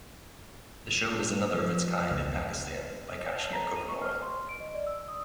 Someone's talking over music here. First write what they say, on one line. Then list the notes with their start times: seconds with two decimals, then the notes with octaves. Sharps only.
The show is another of its kind in Pakistan by Kashmir Cooking Oil.
1.54 F3
2.11 C#2
3.24 C#5
3.38 A5
3.53 A#5
3.76 D#7
3.89 C#6
4.02 F6
4.22 C6
4.49 D7
4.60 D#5
4.74 D5
4.87 E6
5.08 D#6